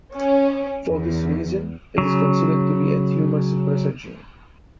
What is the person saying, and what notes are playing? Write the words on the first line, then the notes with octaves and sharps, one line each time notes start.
For this reason, it is considered to be a tumor suppressor gene.
C#4
E2
C#3 F#3